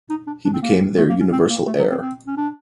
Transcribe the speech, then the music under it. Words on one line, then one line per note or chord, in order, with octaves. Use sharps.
He became their universal heir.
D#4
D4
D4
C4
A#3
A3
A#3
C#4
C4
A#3
A3
F#3
C4
C4
C#4
D4